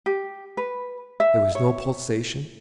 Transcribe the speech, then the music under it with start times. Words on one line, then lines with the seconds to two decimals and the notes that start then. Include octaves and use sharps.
There was no pulsation.
0.06 G4
0.57 B4
1.20 E5
1.55 C#5